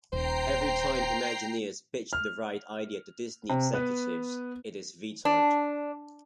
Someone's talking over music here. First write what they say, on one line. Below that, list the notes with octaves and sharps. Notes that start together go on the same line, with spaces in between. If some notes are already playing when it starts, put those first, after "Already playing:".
Every time Imagineers pitch the ride idea to Disney executives, it is vetoed.
D#1 C5 G5 A#5 C7
F6
C3
B3 B4
D4